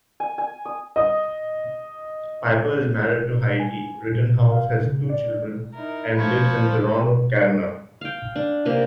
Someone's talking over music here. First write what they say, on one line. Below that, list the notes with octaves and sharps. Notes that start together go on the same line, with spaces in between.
Pyper is married to Heidi Rittenhouse, has two children, and lives in Toronto, Canada.
G#5
G#5
D#6
D#5 D#6
G#5
A#2
F5
C#3
D5
D#4 E4 A#4
F3 B5 C#6 G#6
A4 C5
F5 G5
D4
C3 A#3 D4 A#4